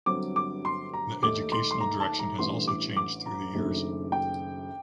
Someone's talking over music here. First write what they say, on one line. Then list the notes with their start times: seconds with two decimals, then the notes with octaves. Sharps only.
The educational direction has also changed through the years.
0.06 G1 G2 D3 F#3 C4 D6
0.36 D6
0.65 C6
0.94 A#5
1.23 D#2 D#3 A3 D#4 D6
1.52 C6
1.71 C6
1.81 A#5
2.00 A5
2.19 A#5
2.38 A1 A2 G3 D4 C6
2.68 D6
2.97 D6
3.26 A#5
3.54 F#1 F#2 D#3 A3 D4
4.12 G5